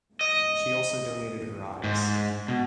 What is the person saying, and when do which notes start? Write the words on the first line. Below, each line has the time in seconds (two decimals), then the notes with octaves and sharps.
She also donated her eyes.
0.21 D#5
1.84 G#2
2.48 B2